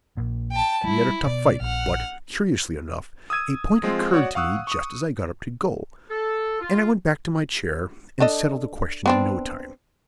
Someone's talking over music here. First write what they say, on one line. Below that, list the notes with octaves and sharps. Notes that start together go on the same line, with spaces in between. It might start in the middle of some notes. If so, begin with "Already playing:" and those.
We had a tough fight; but, curiously enough, a point occurred to me just as I got up to go; and I went back to my chair, and settled the question in no time.
A#1 A#2
G5 A5
G3 G#3 E4
B2 D5
A#1 F#5 F6
D#6 E6 G#6 D#7
F3 G#3 C4 F4
F#4 C#5 D5 F#5
F5 F#5 C#6 D#6 E6 F#6
C#6 D#6
A4
F4
D4 A4 D#5
B3 C4 D4